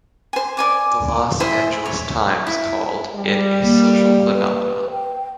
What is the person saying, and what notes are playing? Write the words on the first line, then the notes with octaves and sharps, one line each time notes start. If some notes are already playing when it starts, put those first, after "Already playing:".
The "Los Angeles Times" called it a "social phenomenon".
C5 G#5
D5 G#5 D6
E4 G#4 C5 E5
C#5
E4
G3
A#3
B4
G5